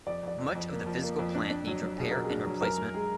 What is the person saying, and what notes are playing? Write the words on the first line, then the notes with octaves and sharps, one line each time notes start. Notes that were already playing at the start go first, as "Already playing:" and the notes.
Much of the physical plant needs repair and replacement.
F2 D5
F2 D5
F2
F2
A#3
F3
A#3
F2
D4
D4
F#3
F#3
B2 G#4
B2 A#4
G#4
D4
F#3
F#2 A#4
F#2
G#3 G#4